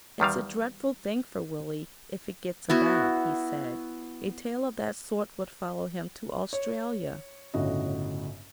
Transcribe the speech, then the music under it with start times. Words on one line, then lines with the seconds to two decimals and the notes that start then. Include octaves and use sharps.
'It's a dreadful thing for Willie, if it gets about,' he said; 'a tale of that sort would follow him to Australia.'
0.20 E2 D#3 G3 F5
2.70 B3 E4 F#4
6.53 C#5
7.54 G1 A2 C#3 F#4 D#5